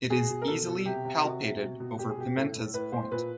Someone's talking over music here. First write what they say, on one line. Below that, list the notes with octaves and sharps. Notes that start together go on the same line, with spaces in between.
It is easily palpated over Pimenta's Point.
B2 G#4
B2
A#4
B2 A4
B2
C3 G4
C3
C3 F#4
C3
B2
B2
B2 G4
G#4
B2 G4
A2 A4
A2
A2 B4
A2 C5
A#2 B4